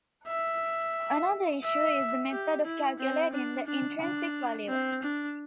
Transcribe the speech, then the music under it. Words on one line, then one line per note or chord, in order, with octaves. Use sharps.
Another issue is the method of calculating the "intrinsic value".
E5
E5
G4
E4
C4
D4
D4
D4
C4
D4